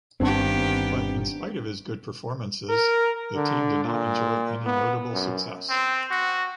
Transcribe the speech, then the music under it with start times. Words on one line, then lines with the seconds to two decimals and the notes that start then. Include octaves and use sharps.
But in spite of his good performances, the team did not enjoy any notable success.
0.20 G1 G2 D#3 B3 C4 D4 G4
2.69 A#4
3.36 D3
3.85 A#2
4.66 B3
5.13 F#2
5.70 C4
6.11 F#4